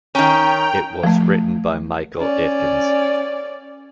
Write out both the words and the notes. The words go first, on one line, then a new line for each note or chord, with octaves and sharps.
It was written by Michael Aitkens.
D#3 C#4 G5 A#5
F3 A3
C#4 D5